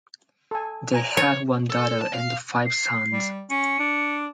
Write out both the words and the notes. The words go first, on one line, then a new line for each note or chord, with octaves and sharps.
They had one daughter and five sons.
A4 G#5
G#5 A#5
C#5
A4
A5
F5
C7
G3
C#4 C#7
D4